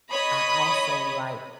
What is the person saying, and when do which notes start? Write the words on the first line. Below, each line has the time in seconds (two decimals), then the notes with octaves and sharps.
I also like,
0.10 C#5 D#5 B5 D#6